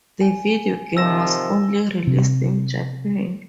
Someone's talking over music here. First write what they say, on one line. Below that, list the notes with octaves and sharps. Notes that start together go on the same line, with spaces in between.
The video game was only released in Japan.
G#5
C3 D#3 F3 E6 A#6 E7
C3